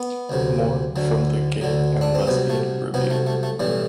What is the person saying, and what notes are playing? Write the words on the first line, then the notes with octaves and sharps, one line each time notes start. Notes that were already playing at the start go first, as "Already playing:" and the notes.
More from The Gay and Lesbian Review.
Already playing: B3
D2 C3 F#3
D2 D3 F#3
D2 D3 F#3
D4
C4
C2 C3 F#3 B3
A3
C2 C3 F#3 B3
A3
A3
A3
B1 A2 E3 G3